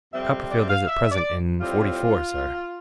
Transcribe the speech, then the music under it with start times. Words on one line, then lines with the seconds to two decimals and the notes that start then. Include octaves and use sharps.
Copperfield is at present in forty-four, sir.'
0.12 F2 C3 G3 C4 E5
0.50 D5
0.69 F5
0.87 E5
1.11 D5
1.61 A2 G3 C4 F4